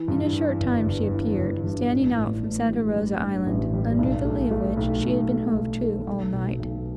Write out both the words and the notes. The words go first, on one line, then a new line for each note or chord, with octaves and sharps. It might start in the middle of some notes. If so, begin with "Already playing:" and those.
In a short time she appeared, standing out from Santa Rosa Island, under the lee of which she had been hove to, all night.
Already playing: E3
G2
E3
G1
G1
E3
G1
G2
A1
A2
A2
G3
G3
D4
A1
G3
B1
A3
A3
B1
B1
A3
B1
A3
B1
B2
B1